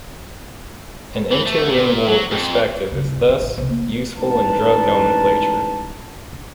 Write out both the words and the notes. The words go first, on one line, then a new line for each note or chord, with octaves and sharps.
An interlingual perspective is thus useful in drug nomenclature.
E3
A3
A#2
F#3
F2
C#3 G3
C2
D#3
A1
B1 C3
A#3
A1 G#2 D3 A#4 B4 A5